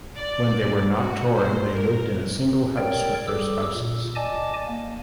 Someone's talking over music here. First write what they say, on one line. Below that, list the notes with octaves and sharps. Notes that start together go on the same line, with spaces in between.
When they were not touring, they lived in a single house with their spouses.
D5
F#4
C5
A#4
A#4 C#5 D5 G5
G3 G#4 A4 D6 E6
A#2
D5 D#5 G#5 A5 D6
A#3